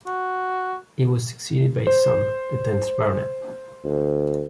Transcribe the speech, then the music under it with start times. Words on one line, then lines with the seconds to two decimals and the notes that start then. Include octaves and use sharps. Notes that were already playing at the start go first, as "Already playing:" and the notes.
He was succeeded by his son, the tenth Baronet.
0.06 F#4
1.87 C5
3.84 D2